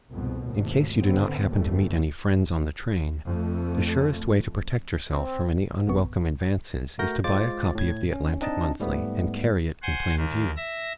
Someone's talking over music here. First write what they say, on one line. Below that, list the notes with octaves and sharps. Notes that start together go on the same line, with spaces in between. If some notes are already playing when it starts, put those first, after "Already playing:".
In case you do not happen to meet any friends on the train, the surest way to protect yourself from any unwelcome advances is to buy a copy of the Atlantic Monthly and carry it, in plain view.
C2 F2 G#2 B2
G#1 D#2 A2
D3 B3 C4
G1 D#2 G3 A3
F2 A3
C4
A1 F#2 C3 B3 C#6
A3 F#4 A#4 G6 A#6
G#3 F4 C5 D6 A6
A2 G#6
C#4
C4 D4 D#4 D#5 A5
G#2 G3 A3 B3
C5 F#5 G#5 C6
D#2 D#3
E5 A#6